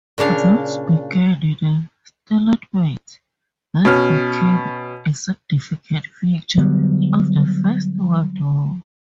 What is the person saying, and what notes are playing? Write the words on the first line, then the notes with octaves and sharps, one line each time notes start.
Thus began the stalemate that became a significant feature of the First World War.
A#2 C#3 D4 F5
B2 C#4 F6
D3 F#3 G3 B3